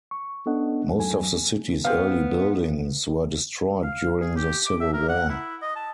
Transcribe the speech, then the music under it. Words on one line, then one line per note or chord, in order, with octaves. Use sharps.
Most of the city's early buildings were destroyed during the Civil War.
C#6
B3 C#4 D4 A4 D#5 F#5
E2 G2 F#3 A4 G#5
B3 C4 F5
F5
G#4
G4
D6
E5
A#4
F#5
E4
D#5
A5